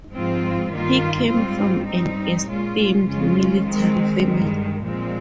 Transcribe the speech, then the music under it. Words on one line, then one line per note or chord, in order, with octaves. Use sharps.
He came from an esteemed military family.
G#2 F3 C4 F4
G2 D#3 A#3 F4
G#2 G3 C4 F4
G2 G3 C4 D#4
A#2 G#3 C#4 F4
F2 C#3 G#3 C#4 F4
D#3 G#3 C4
G2 D#3 G#3
A#2 F3 G#3 C4